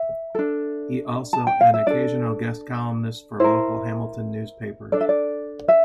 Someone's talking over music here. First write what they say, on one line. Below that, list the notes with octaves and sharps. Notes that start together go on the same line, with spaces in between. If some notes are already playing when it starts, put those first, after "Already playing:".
He also an occasional guest columnist for local Hamilton newspapers.
Already playing: E5
D4 A4
A5
G5
F5
E5
D4 A4 D5
E4 A#4 C5
D4 A4 D5
E5
D5
E5